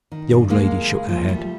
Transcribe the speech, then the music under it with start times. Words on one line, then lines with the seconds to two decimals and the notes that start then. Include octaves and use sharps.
The old lady shook her head.
0.12 D#3
0.31 G2
0.50 D#2 G#3 A#3
0.71 D#2
0.90 C#3
1.09 F3
1.29 D#2 G3 A3